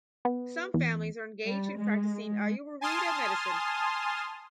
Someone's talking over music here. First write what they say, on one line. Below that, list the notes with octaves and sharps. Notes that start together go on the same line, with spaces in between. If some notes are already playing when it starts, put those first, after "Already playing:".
Some families are engaged in practicing Ayurveda medicine.
B3
E2
G3
G#3
G#3
G#5 A5 C6 D#6 F6